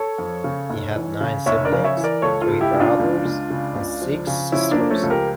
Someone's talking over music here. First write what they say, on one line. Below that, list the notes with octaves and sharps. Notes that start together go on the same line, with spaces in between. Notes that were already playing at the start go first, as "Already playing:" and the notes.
He had nine siblings- three brothers and six sisters.
Already playing: A4 C#5
F2
C#3
F1
E3
C#3
F1 C#5 E5
A#4 D5
C#3
C#5 E5
E3
A#4 D5
C#2 A4 C#5
F4 A4
C#2
E4 G4
C#3
D4 F4
C#2
C#2
C#3
C#2
F3
C#3
F3 C#4 E4
A#3 D4
F3
A3 C#4
C#2 A4
G4 A#4